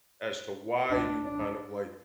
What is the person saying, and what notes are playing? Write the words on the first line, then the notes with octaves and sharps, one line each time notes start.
as to why you kind of like
D4
D4